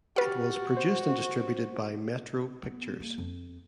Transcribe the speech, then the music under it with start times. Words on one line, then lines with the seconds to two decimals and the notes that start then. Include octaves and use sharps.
It was produced and distributed by Metro Pictures.
0.16 F#4 G4 B4 F#5 F6 A6
0.77 C5
2.63 B3
3.00 A#3
3.18 F2